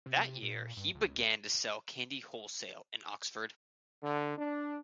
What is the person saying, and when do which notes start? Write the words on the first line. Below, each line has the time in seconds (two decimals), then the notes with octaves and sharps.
That year he began to sell candy wholesale in Oxford.
0.06 C3
0.42 A#2
0.77 G2
0.95 C#2
4.03 D3
4.37 D4